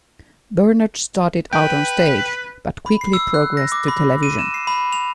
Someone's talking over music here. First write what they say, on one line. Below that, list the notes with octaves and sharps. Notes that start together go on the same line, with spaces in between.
Bernard started out on stage but quickly progressed to television.
B4 G5
B5
C7
E6
F#6
A#6
D6
B5
D#7
E7
C7
B5
F7